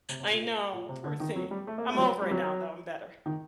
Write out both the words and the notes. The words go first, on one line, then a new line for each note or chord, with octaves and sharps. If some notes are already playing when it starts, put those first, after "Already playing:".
I know, poor thing. I'm over it now though. I'm better.
C3
C3
A#2
A#2
C3
D3
D#3
F#3
G3
A3
A#3
A3
G3
F#3
G3
F#3
D#3